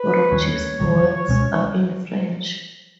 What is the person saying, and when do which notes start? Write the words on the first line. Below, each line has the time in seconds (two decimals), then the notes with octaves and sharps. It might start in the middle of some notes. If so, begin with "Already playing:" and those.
Roche's works are in French.
Already playing: B4
0.31 D#2 D#3 G3 C#4 C#5
0.80 E1 D#2 D#3 G3
1.28 C#2 B2 G#3 C#4